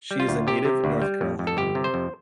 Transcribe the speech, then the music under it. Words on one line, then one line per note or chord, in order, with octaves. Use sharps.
She is a native North Carolinian.
G3
F4
D2
C3 G4
C3
D2
G3
F2
F2
A4
G1 G4
C3
C5
F2